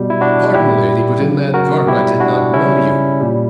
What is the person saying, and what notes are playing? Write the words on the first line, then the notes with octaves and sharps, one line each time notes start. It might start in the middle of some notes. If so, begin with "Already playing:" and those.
"Pardon, Lady, but in that garb I did not know you."
Already playing: B2 G3
E4
D4 F#4
A#2 G3 E4 G4
C#3 F#3
F#4 A#4
B2 G3 E4 G4
D4 F#4
C#3 G3 C#4 E4
A#2 G3